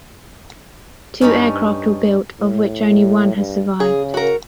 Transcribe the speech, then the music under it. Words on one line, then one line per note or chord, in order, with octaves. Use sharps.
Two aircraft were built, of which only one has survived.
G2 C#4 D#4 B5
A2
G2
C#3 G#4
F#4 A#4